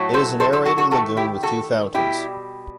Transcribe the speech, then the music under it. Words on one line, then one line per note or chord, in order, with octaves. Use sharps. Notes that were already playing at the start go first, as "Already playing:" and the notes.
It is an aerated lagoon with two fountains.
Already playing: A2 F#3 A3
A4 C5
A4 C5
A4 C5
F#4 A4
F#4 A4
D#3 A3 F#4 A4
E4 G4
F#4 A4
B2 G3 E4 G4